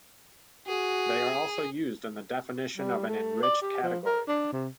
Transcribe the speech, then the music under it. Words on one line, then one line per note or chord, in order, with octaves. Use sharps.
They are also used in the definition of an enriched category.
F#4 G#4
G3
A3
D5
G4
F3
A#4
D4
C3